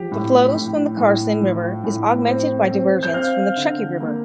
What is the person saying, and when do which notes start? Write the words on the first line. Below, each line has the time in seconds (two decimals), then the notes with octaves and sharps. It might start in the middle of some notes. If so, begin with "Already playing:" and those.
The flows from the Carson River is augmented by diversions from the Truckee River.
Already playing: F3 G4
0.11 A2
0.54 A2
0.97 A2
1.41 F3
1.84 A2
2.27 C4
2.70 C4
3.03 G6
3.13 C4 F5 F6
3.56 D3
4.00 A#3